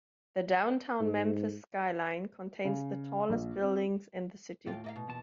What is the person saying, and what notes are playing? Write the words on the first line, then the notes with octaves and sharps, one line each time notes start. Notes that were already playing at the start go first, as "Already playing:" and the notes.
The Downtown Memphis skyline contains the tallest buildings in the city.
G#2
C#3
A#1
C4
D#2 A2 F4 G4
A#3 D#5 F5
B2
E2 A#2 A5